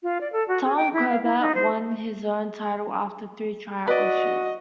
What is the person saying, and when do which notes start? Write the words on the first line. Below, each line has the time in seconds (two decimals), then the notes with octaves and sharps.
Tom Corbett won his own title after three tryout issues.
0.03 F4
0.21 D5
0.33 A4
0.48 F#4
0.64 G#4
0.76 G5
0.93 E4
1.10 F5
1.24 E4
1.40 D#4
1.55 C5
3.87 F#4 B4 D5 D#5